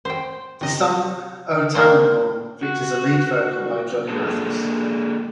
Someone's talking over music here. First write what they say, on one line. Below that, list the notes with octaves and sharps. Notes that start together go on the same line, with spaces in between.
The song "O Tannenbaum" features a lead vocal by Johnny Mathis.
C5 G5
C3 D#5
A#3 D4 C5
F#4
G#3 A#3 D4 G#4 A4